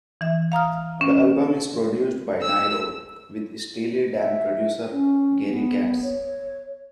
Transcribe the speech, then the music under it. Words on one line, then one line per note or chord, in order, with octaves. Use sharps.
The album is produced by Nyro with Steely Dan producer Gary Katz.
E3 E5
F5 A#5 D#6 F6
C#4
E6
E5
C#4
B3
C#5